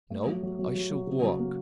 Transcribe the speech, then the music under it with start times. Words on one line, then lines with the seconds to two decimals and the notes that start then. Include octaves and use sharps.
"No; I shall walk."
0.10 A3
0.26 F#3
0.43 F#3
0.59 F#3
0.75 F#3
0.91 F#3
1.07 C#3
1.23 F#3
1.39 A#3